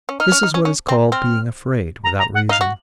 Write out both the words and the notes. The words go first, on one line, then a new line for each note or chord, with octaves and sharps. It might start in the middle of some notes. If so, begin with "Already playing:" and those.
This is what is called being afraid without reason.
C#4
D#4 F6
C#4
D#4
C#4
C#4
C4
C4 F6
A#5
A#5
F#5
D#4 F5
F#4